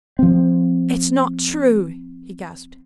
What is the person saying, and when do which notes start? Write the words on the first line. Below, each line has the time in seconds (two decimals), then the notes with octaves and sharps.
"It's not true!" he gasped.
0.19 F3 C4